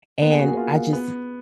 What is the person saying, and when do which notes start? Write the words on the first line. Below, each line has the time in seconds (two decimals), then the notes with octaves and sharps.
and I just
0.21 A#3 B3
0.31 G#4
0.39 F#4
0.48 G#4
0.57 F4
0.93 B3